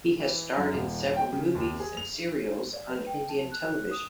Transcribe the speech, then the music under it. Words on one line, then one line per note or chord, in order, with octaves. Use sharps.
He has starred in several movies and serials on Indian television.
E3
F#2
D#1
G5
C#3
D#2
G#4
F7
D5
B4
G5
A5
F#6
D#6